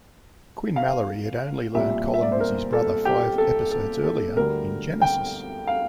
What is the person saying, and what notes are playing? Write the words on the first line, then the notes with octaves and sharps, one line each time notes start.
Quinn Mallory had only learned Colin was his brother five episodes earlier in "Genesis".
F5
C2 A#2 G3 E5
E5
D5
C5
A#4
A4
G4
A4
A4
A4
D2 D3 G3 A#4
G5
F5